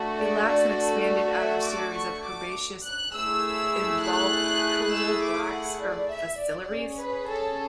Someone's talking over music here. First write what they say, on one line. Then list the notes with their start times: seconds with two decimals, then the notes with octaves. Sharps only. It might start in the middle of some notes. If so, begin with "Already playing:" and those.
It lacks an expanded outer series of herbaceous involucral bracts or phyllaries.
Already playing: A3 D4 F#4 A4
0.18 D5
0.48 D5
1.07 D5
1.37 E5
1.66 D6
1.96 C#6
2.25 D6
2.85 F#6
3.14 A3 E4 G#4 E6
4.04 F#6
4.92 E6
5.22 D6
5.52 F#5
5.81 D5
6.11 E5
6.41 D5
6.69 C#4 G#4
6.99 B4
7.30 A4